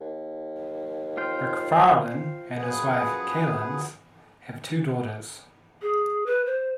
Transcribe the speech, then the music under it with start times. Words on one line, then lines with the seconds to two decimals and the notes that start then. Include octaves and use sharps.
McPharlin and his wife, Kalinz, have two daughters.
0.01 D#2
1.17 F4 C5 G5
2.57 F#2 F3 G#4 B4 F#5
5.82 G#4
6.26 B4
6.46 C5